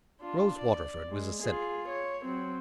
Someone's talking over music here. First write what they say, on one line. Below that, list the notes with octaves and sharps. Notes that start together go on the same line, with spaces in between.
Rose Waterford was a cynic.
D4 F4
D5
G#3
F4 G#4
C#5
F#3 C4